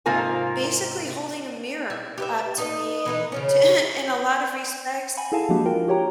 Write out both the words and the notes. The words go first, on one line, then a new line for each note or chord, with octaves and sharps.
basically holding a mirror up to me, uh, t in a lot of respects
G#2 C3 A#3 F4 A#4 G#5
E4
G4 B4 E5
D#4 B4 D#5
E3 D#4 B4
C#3 F3 C#4
F#5 G#5 B5
E4 G#4 A4 F5 G#5 A5
F3 G#3 A#3 D4 F#4 G4
D4 F4 A#4 G5
F#4 G4 C#5 G5 A#5